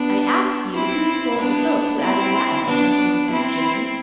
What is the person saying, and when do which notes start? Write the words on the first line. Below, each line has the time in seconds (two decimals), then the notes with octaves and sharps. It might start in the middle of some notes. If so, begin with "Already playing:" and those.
"I asked you who sold the soap to Adam Ladd?" resumed Miss Jane.
Already playing: B3 D4
0.74 C4 E4
1.38 B3 D4
2.02 C4 E4
2.66 B3 D4
3.31 C4 E4